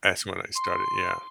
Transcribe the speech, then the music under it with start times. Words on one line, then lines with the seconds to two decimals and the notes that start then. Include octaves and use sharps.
as when I started, yeah.
0.56 C6